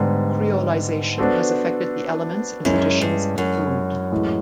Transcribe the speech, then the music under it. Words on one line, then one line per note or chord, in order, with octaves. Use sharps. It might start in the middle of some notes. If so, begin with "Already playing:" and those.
Creolization has affected the elements and traditions of food.
Already playing: G#2 D3 G3 B3
B3 D4 F#4 A4 C5
F#2 G#3 C#4 E4
G2
F#2
A2 E3 G#3